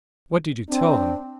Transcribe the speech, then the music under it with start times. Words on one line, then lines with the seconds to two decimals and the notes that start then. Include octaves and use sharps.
"What did you tell him?"
0.69 C4 D4